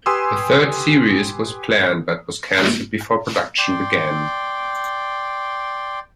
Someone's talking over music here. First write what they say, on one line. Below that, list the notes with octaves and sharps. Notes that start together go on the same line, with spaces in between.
A third series was planned, but was cancelled before production began.
G4 B4 G#5 C6 D#6 E6
D5 G5 C6